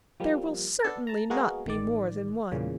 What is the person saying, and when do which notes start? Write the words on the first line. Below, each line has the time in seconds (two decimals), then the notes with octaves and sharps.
There will certainly not be more than one.'
0.20 F3 G3 A#3
0.84 B3 D4 A4
1.07 A5 A#5
1.30 G#3 A#3 B3 F#4 G#4 A#4
1.66 A1 D#3 D5
2.52 E2 A#2 C#3